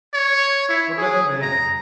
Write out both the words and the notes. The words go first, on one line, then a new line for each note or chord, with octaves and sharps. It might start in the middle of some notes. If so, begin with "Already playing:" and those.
"What about Manning?"
C#5
E4
G#4
A#5